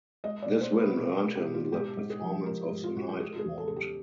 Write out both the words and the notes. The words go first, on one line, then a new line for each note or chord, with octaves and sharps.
This win earned him the "Performance of the Night" award.
G#3 D#5
D5
B2
C5
G#3
B4
B2 A#4
A#4
G#3
G4
B2
F4
G#2 G4
G#2
G#4
F3
G#3 A#4
G#2
F4
G#2 F#4
G4
G#3 G#4
G#4
E2
A4
C#3 G#4
G4